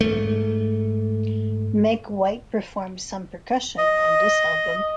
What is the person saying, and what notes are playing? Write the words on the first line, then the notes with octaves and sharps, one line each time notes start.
Meg White performs some percussion on this album.
G#2 A3
D#5